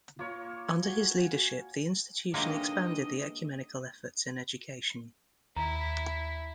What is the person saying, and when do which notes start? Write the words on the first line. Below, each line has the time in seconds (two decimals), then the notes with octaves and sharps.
Under his leadership the institution expanded the ecumenical efforts in education.
0.19 A#3 F4 C#5
0.83 F#4 G#5
2.34 D3 E3 F#3 G#3 A#3 D#4 G4 D#5
5.57 D#2 E4 A#5